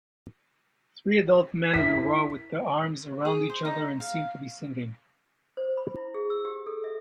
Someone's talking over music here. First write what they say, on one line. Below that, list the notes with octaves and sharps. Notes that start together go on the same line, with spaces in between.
Three adult men in a row with their arms around each other and seem to be singing.
E4 A#4 B6
G#4
C5
D#4
F5
C5
B5
E4
G#4
E6
G4
A4
E5